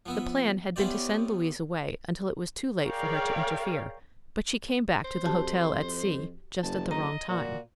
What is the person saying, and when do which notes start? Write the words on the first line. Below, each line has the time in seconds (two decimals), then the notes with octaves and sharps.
The plan had been to send Louise away until it was too late for her to interfere, but she came back to the hotel at C-- just at the wrong time.
0.06 F3 B3 E5
0.76 B3 C#4 E4 G4 C5 D5
2.86 G#4 A#4 C#5 D5 F5 G5
5.05 C5
5.25 F2 F#4 G4 A5
6.63 F#1 A5
6.91 D#5 A#5
7.29 A#2 F#4